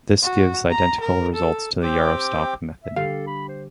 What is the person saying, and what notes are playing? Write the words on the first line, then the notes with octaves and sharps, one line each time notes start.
This gives identical results to the yarrow-stalk method.
F#4
A#5
A#4
A4
C4 G4 G5 D6
E5
D3 G3 G4 A4 F5
B5
C5